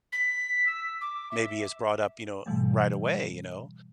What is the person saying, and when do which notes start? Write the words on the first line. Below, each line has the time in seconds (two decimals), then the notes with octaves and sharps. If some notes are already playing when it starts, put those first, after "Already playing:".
maybe is brought up, you know, right away, you know?
0.12 B6
0.67 E6
1.01 D6
1.31 E5
2.46 G#2 B2 E3 G3 A3